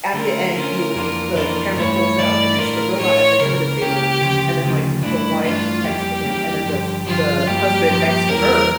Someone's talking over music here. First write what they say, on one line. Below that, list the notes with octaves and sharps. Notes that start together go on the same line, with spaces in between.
at the end you the camera pulls out and it's the robot at the head of the table, and then like the wife next to him, and then the f the husband next to her,
D3 A3 C#4 F4 A#4
D3 A3 C#4 F4
F2 E3 A#3 D4 F4
F2 E3 A#3 D4 F4 A#4
G2 E3 A3 E4 C#5
G2 E3 A3 E4 D5
A2 E3 A3 D4 F4 A#4
A2 E3 A3 D4 F4 C#5
C#2 C#3 E3 A#3 A#4
C#2 C#3 E3 A#3 G4
D2 C#3 F3
D2 C#3 F3
G2 E3 A3 D4 E4
G2 E3 A3 D4 F4
F2 E3 G3 A#3 G4
F2 E3 G3 A#3
G2 D3 F3
G2 D3 F3 F4
G2 F3 A#3 G4
G2 F3 A#3
E2 E3 G3 A#3 E4 A#4